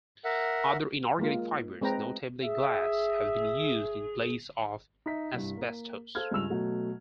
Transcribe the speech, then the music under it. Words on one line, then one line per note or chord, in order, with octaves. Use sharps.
Other inorganic fibers, notably glass, have been used in place of asbestos.
A#4 E5 F#5
G#3 A#3 F4
G#3 C4 B4 G5 A#5
G#4 E5
D#4 E5 B6
C2 G2
A#3
A4 C5 F5 F6 G#6
C#2 G2 E6 F7
B2 F#3 A3